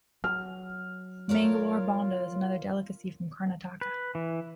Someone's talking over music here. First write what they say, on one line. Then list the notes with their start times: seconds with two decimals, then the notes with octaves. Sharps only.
Mangalore bonda is another delicacy from Karnataka.
0.24 F#3 F6
1.29 F4 A#4 C#5 D5
3.81 B4
4.15 E3